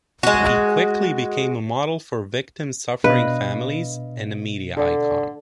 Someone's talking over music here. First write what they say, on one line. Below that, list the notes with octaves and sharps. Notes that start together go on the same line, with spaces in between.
He quickly became a model for victims' suffering families, and a media icon.
G#3 F#4
B2 D4 B4 D#5 F5
D3 A4 D5